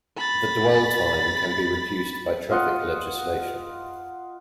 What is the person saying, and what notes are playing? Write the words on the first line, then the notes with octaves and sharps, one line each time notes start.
The dwell time can be reduced by traffic legislation.
B5 A6
F4 D#5 F#5